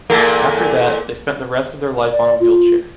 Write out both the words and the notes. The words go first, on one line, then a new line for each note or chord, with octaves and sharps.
After that, they spent the rest of their life on a wheelchair.
E2 A#2 A#3 A4
D5
F4